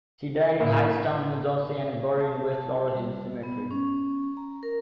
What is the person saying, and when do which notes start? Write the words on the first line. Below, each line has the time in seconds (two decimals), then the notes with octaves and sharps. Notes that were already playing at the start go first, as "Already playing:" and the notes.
She died in Hightstown, New Jersey and is buried in West Laurel Hill Cemetery.
0.60 A2 A#3 E4
2.21 A5
2.49 A5
2.95 G3
3.43 B3
3.71 C#4
4.37 A#5
4.63 A#4